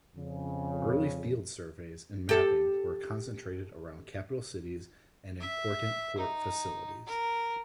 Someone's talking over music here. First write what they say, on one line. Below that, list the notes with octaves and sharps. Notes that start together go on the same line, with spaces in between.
Early field surveys and mapping were concentrated around capital cities and important port facilities.
F2 C#3
G4 A4
E5
D#4
A#4